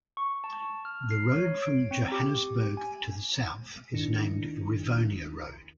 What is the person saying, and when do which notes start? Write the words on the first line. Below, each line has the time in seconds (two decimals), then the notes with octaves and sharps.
The road from Johannesburg to the south is named Rivonia Road.
0.17 C#6
0.44 A5
0.85 F6
1.11 C7
1.33 C#5
1.63 D7
1.91 C4
2.12 G4
2.77 G#5
3.93 D#2 D#3 D4 E4 A#6 C#7